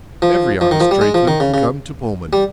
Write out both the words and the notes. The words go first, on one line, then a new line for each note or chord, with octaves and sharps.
Every honest tradesman can come to Pullman.
F3
F3
D#3
F3
G3
G#3
F3
D#3
C#3
C#3
G3